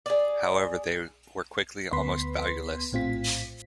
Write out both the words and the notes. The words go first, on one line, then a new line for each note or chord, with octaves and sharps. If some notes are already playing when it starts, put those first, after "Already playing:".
However, they were quickly almost valueless.
G#4 D5
D2 B3 B4 C6 B6
A#1 A2 C4 F4 B6